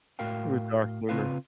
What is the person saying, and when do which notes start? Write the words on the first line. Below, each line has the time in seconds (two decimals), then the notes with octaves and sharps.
With dark humor.
0.19 A2 F#4 A#4 F5 G5
1.09 C#3 C4 F4 B4 F5